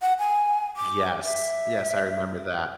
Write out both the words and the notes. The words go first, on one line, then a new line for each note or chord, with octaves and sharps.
Yes. Yes, I remember that.
F#5
G#5
D6
E5